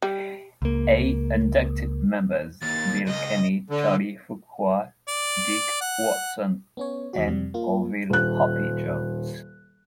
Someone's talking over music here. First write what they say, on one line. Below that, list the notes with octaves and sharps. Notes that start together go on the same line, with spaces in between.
A. Inducted members: Bill Kenny, Charlie Fuqua, Deek Watson, and Orville "Hoppy" Jones.
G3
C#2 A#3
D#2 A6
C#2 D#5
D3
D5
F#5
B3 C#4 C#5
E2 C3 F#4
F2 C3 G3
A#3 F4
D#1 F#6